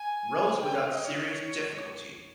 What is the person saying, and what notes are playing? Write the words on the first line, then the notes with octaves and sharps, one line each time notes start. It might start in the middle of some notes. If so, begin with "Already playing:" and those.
Rose without serious difficulty.
Already playing: G#5
G5
F5
D#5
C#5